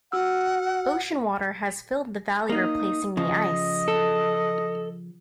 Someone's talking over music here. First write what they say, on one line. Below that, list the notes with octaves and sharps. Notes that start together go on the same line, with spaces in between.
Ocean water has filled the valley replacing the ice.
F#4 F#5 E6 F6
A#3 D#4 D#6
C#3 F3 D#5
A4